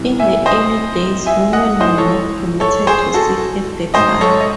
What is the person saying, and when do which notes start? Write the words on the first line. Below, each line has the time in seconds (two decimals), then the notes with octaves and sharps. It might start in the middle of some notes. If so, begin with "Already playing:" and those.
In the early days women were not permitted to sit at the bar.
Already playing: C2 C3 E3
0.19 E5 G#5
0.46 C5 D#5
1.26 E5 G#5
1.53 D#5 F#5
1.80 G#2 E3 C5 D#5
1.98 A4 C#5
2.60 A4 C#5
2.87 G#4 C5
3.14 F#4 A4
3.94 G#2 F#3 C5 D#5
4.21 A4 C#5
4.40 D#5